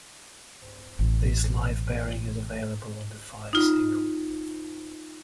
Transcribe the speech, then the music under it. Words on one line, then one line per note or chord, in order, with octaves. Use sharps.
This live pairing is available on the "Fire" single.
A1 B2
D#4 F4